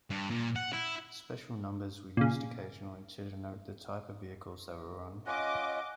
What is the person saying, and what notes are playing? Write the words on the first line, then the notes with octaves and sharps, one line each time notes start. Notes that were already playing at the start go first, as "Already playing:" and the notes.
Special numbers were used occasionally to denote the type of vehicles they were on.
G2
A#2
F#5
E4
A#2 C#3
C#4 F4 D#5 F#5 D6